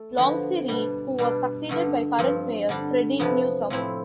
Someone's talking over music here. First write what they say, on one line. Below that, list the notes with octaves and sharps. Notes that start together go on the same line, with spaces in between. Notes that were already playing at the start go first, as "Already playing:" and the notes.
Longserre who was succeeded by current mayor Freddie Newsome.
Already playing: A3
D3 F3 B3
B2 G3 D4
B2 G3 D4
G2 D3 A3
G2 F3 C4
D3 G3 D4
F2 C3 F3 B3
A2 F3 C4 E4